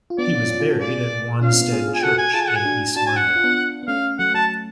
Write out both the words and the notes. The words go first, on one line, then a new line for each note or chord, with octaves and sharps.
He was buried at Wanstead Church in east London.
F4
B3 D4 D5
C#4 F4
C#4 F4
F4 G#4
F#4 A4
F4 G#4 D5
C#4 F4 F5
B3 D4
B3 D4
F4 G#4
F4 G#4
G#5
F#4 A4 F#5
G#5
F4 G#4 A5
G#5
F#5
G#5
D4 F#4
D4 F#4 A5
G#5
F#5
D4
F4
B3 D4
B3
A3 C#4 F5
F#3 A3 F#5
F#3 A5